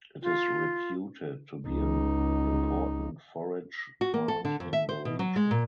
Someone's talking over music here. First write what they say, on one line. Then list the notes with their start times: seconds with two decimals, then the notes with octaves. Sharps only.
It is reputed to be an important forage plant in the region.
0.22 F4
1.67 C#2 D#4
4.01 F#4
4.14 A#3
4.28 A4
4.45 D3
4.60 F2
4.73 E5
4.89 C5
5.05 B2
5.19 F#3
5.36 G#3
5.51 A#2